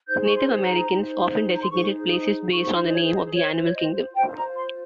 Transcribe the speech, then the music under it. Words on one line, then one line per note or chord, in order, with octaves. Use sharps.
Native Americans often designated places based on the name of the animal kingdom.
D#4 G#4 C5 G6
C#6
C6
A#5
D#4 G#4 C5
A#5
C6
D#4 G#4 C5 C#6
D#6
D#4 G#4 C5 C#6
C#6
C6
D#5
C#5
D#5
F4 C5 C#5
C#5
D#5
F4 C5 G5
A#5
C6